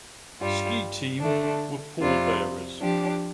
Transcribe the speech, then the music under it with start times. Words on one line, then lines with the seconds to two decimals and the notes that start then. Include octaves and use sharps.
Ski Team were pallbearers.
0.41 G2 G3 F4
1.20 D3 A3 D4
2.00 F2 C3 G3 F4
2.79 F3 D4 G4